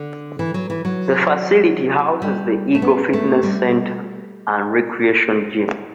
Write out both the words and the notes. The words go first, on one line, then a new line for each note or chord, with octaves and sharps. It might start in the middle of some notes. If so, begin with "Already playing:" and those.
The facility houses the Eagle Fitness Center and Recreation Gym.
Already playing: D3
E3
F#3
E3
F#3
G3
A3
B3
A3
G3